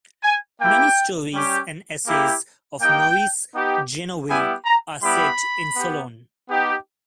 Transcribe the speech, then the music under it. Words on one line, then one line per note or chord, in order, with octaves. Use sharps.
Many stories and essays of Maurice Genevoix are set in Sologne.
G#5
A#3 E4 G4 G5
G3 C#4 G4
A#3 E4 G4
A#3 D#4 G4 G5
B3 D#4 G4
G3 B3 E4 G4 G#5
A#5
G3 B3 E4 G4 B5
B3 G4
B3 D#4 G4